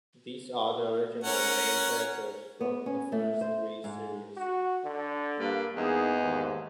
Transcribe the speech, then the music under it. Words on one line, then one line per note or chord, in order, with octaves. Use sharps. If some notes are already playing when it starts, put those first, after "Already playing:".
These are the original main characters from the first three series.
C#4 A#4 F#5
B3
C#4
A3
C5
G#2
F#4
D3
G2 A#3
E2 G#3 A#3 D#4 G#4
D#2 G#2